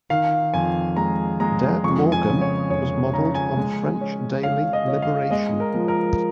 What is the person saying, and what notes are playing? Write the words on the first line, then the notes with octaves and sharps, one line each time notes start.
"De Morgen" was modelled on French daily "Liberation".
D#3 F5
F2 G#5
G#3 A#5
G#3 A#5
F2 C#6
G#5
C#3
C#5
F1 C#5
C#3 A#5
G#5
G#3
C#4
C#4 F5
D#5
C#4
F5
G#3 D#5
A#4
F3
A#4